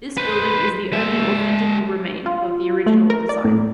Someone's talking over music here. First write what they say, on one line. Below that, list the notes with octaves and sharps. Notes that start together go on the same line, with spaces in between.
This building is the only authentical remain of the original design.
B4 C5
G#3 E5
F4
A3
A#4
D5
A2